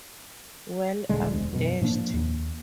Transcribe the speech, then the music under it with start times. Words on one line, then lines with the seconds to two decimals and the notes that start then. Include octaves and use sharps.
Well, I'm dashed.
1.09 D#1 A#1 D3 G#3
1.33 E1 D2
1.53 F#2 B2
1.81 A2 F3 A#3 D4
2.14 D#2